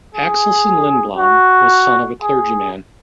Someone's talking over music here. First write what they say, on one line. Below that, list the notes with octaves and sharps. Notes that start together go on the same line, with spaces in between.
Axelsson Lindblom was son of a clergyman.
G#4
F#4
G#4